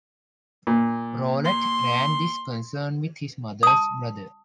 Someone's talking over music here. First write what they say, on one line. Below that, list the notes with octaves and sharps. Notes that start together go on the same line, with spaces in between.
Rolette ran this concern with his mother's brother.
A#2
C6
A5 D#6